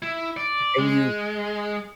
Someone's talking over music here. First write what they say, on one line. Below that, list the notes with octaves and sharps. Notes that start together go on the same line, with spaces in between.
and you
E4
D5
G#3